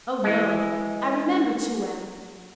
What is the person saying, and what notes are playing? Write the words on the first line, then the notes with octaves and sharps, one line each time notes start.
Oh, no! I remember too well.
E3 G#3